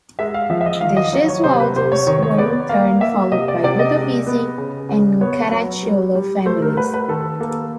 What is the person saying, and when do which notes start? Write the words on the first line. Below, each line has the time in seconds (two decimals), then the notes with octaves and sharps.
The Gesualdos were in turn followed by the Ludovisi and the Caracciolo families.
0.19 G#3 E5
0.34 F5
0.50 F3 E5
0.61 E5
0.66 D#5
0.81 D#3 F5
0.97 D#5
1.13 F#3
1.28 C#5
1.44 C3 C5
1.60 B4
1.76 C3 C5
1.92 C#5
2.07 D#3 C#5
2.22 C#5
2.38 B3 D5
2.69 A#3 F5
3.01 A#3 E5
3.32 C3 D#5
3.48 D5
3.63 C3 D5
3.79 D#5
3.96 G#3
4.27 B3
4.58 C#3
4.89 C#3
5.21 B3 C#5
5.52 F#3
5.83 G3
6.15 G3
6.46 A3 C5
6.62 A#4
6.77 A3 B4
6.94 B4
7.08 D#3 A4
7.40 A#3 A4